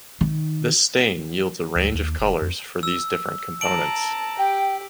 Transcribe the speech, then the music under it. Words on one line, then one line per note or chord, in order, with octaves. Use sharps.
This stain yields a range of colors for these different components.
D#3
D2
D#2
F1
F2
E6
A5 A#5 D7 F#7
G4 G5